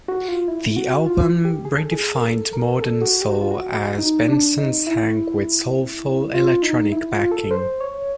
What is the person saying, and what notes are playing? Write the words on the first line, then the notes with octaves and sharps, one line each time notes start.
The album redefined modern soul as Benson sang with soulful electronic backing.
F#4
F4
E4
F#4
F4
G4
G#4
A4
G#4
A#4
A4
A#4
A4
F#4
G4
F#4
F4
F#4
D#4
D4
D#4
E4
F4
D#4
E4
F4
A4
C5
C#5